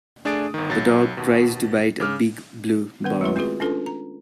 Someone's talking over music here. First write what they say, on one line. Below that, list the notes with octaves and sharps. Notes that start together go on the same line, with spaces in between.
The dog tries to bite a big blue ball.
A3 D4 G#4 D#6 A6 D7
G1 D#3
B1 F#3 A6 A#6
D#2 B2
C#3 D6 F6
D#3 B3 B4
G#3 A3 E4 B4
C4 F4 F#4 G#4 B4
C#4 D4 F4 A4 B4
A#5